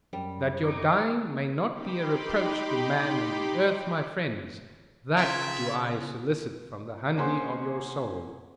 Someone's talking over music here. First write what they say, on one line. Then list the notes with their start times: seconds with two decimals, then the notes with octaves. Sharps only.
That your dying may not be a reproach to man and the earth, my friends: that do I solicit from the honey of your soul.
0.13 F#2 G3
0.63 D#4 D6
1.70 D#4 G4 G5 B5 C6 D6
5.17 C#3 F4 E5 G5 G#5
7.17 A#3 C#4 G#4 C5 F#5 C6